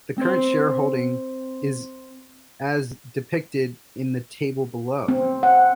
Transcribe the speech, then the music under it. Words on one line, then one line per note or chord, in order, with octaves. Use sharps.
The current shareholding is as depicted in the table below.
C4 C5
C4
F#5